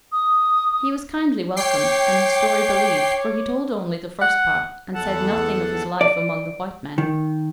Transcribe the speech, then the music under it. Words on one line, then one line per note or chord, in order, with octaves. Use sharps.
He was kindly welcomed, and his story believed; for he told only the first part, and said nothing of his life among the white men.
D#6
C#5 G5 D6 C7
F#5
E2 A4 F#5 A5
D5
D#3